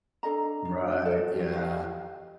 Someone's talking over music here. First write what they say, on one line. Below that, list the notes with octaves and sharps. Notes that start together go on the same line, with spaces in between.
Right, yeah.
D4 A4 D#5 A#5
D4
A4 G5
E4 G4 C5
G4 D#5 F5